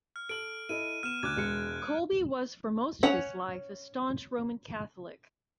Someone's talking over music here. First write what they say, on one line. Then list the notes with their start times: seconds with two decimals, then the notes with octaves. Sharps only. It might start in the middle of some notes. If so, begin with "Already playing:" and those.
Colby was for most of his life a staunch Roman Catholic.
0.16 F6
0.29 A4 D7 F#7
0.69 E4 A4 D#5 D#7
1.03 B3 F6 E7
1.23 D2 D6 F#6 G#6
1.36 E1 G#3 C#7
3.03 C#4 C#5 F#5